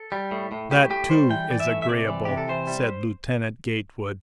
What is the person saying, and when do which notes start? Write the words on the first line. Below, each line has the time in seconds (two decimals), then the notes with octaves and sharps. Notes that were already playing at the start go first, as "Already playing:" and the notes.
"That, too, is agreeable," said Lieutenant Gatewood.
Already playing: A4
0.12 G3
0.31 A2
0.52 A2
0.71 A2 G4
0.90 A2 G4
1.10 G3 C5
1.30 E3 G5
1.50 E3 D5
1.60 E5
1.69 A3
1.82 E5
1.89 C3 D5
2.08 E3
2.25 C3 G4
2.37 A4
2.49 E3 C5
2.67 G3